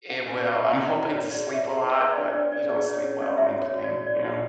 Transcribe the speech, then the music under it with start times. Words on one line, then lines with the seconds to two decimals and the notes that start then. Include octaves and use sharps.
It will. I'm hoping to sleep a lot, but you don't sleep well on plane, you know?
0.10 C#4 F#5
0.27 C#4 G#5
0.45 F#4 F#5
0.63 F#4 E5
0.79 C#5
0.86 D5
0.97 F#4
1.08 C#5
1.14 F#4
1.31 G#4 D5
1.48 C#5
1.54 E5
1.65 G#4
1.77 F#5
1.83 E4
2.00 B4 E5
2.12 D5
2.18 D4 C#5
2.34 D4 D5
2.52 D4 D5
2.69 G#4 D5
2.86 C#5
3.03 C#4 C#5
3.21 C#4 D5
3.38 C#5 E5
3.56 F#4
3.62 C#5
3.73 F#4
3.84 D5
3.89 F#4
4.07 C#5 D5
4.25 F#4 F#5